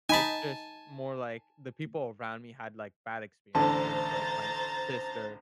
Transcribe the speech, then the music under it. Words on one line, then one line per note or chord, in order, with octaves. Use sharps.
It's just more like the people around me had, like, bad experiences, like, my sister,
D#4 G#5 A5 B5
A1 D3 C5 A5 A#5 A6